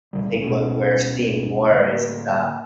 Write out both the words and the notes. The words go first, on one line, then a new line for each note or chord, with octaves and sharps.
I think what we're seeing more is, uh
C2 A#2 D3 G3
D1 B2 C#4
A2 D3 A#3